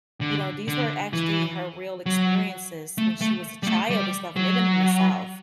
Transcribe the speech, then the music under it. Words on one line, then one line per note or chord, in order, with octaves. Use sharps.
you know, these were actually her real experiences when she was a child and stuff living in the South
D3
D3
E3
F#3
A3
A3
G3
A3
G3
F#3